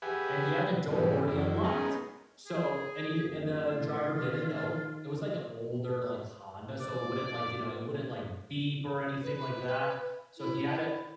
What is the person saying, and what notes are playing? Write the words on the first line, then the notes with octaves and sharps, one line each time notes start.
and he had the door already unlocked. So and he'd and the driver didn't know, it was, like, a older, like, Honda, so it wouldn't, like, you know, it wouldn't, like, beep or anything like that. So he had a
G4 G#4 B4 E5 F#5 G#5
G#2 B2 E3 G3
F#2 E3
G#3 B3 C#4 D#4 G#4 A#4
G#4
F#1
A2 F4
D#3
D5
B4
E4